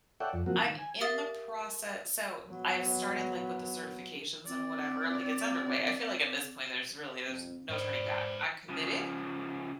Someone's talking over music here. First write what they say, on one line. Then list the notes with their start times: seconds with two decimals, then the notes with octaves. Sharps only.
I'm in the process so I have started, like, with the certifications and whatever, like, it's underway I feel like at this point, there's really, there's no turning back. I'm committed,
0.20 A4 C#5 D5 E5 F#5 G5
0.33 F2
0.46 F3 F#3 A#3 C4 F#4
0.63 D#3
0.78 G#5
1.00 G4 A#4 E5 F5 D#6 A6
2.48 F#3 B3
4.47 C4 D5
7.28 F2 C4
7.69 G#2 B4 C5 D5 F5
8.69 C#3 F3